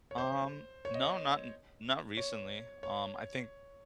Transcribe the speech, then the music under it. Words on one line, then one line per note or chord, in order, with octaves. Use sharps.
Um, no, not in not recently. Um, I think
C#5
C5
C#5
D#5
C#5
C#5
C#5